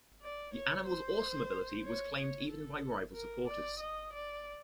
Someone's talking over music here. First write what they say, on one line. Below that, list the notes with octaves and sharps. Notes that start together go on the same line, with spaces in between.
The animal's awesome ability was claimed even by rival supporters.
D5
C#5
C5
C#5
C#5
A4
A#4
D5
D#5
D5